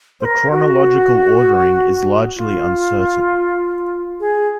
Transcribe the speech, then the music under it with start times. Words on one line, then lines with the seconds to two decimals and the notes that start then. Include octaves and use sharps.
The chronological ordering is largely uncertain.
0.20 C5
0.25 A#4
0.51 F#4
2.36 F4
4.20 G#4